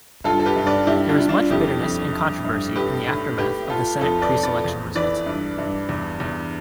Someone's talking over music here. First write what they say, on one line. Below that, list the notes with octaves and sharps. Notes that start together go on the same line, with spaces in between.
There was much bitterness and controversy in the aftermath of the Senate preselection result.
G2 F4 A4
A4
G4 B4
G2
B4 D5
G2 E4 G4
D4 F4
G2
D4 F4
F2 E4 G4
F2
G2
G2
A2 G4 B4
A2
A2 G4 B4
A2 F4 A4
F2 F4 A4
B4 D5
F2
B4 D5
E2
E3 B4 D5
G2
G2
E2
E2